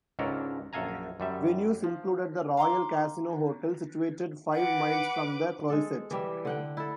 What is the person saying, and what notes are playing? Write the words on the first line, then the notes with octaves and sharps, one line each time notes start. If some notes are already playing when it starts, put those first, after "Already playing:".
Venues included the Royal Casino Hotel, situated five miles from the Croisette.
C#2 G#2 C#4 D4 A4 A#4
A#1 F#2 A4 F5 G#5 A#5
F#2 G3 E5
F3
F5 A#5 C6 D6
B4 F#5 D6
G#3 A4
E3 G3 E5
D3 F#5 G5
E4 A4